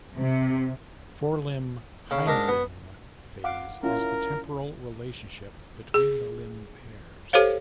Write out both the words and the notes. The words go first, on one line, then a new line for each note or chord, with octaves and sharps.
Forelimb-hindlimb phase is the temporal relationship between the limb pairs.
C3
C#3
G#2 D4 A#4
B3
F5 F#5 D6
C#4 E4 F4 A#4
G#4
G4 A4 C5 C#5 F5